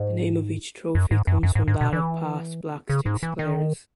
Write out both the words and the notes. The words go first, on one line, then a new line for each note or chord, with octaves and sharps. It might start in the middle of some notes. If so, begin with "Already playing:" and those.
The name of each trophy comes from that of past Black Sticks players.
Already playing: G#2
F#2
G#2
F#2
F#2
G#2
G#2
B2
E3
C#3
G#2
E3
D#3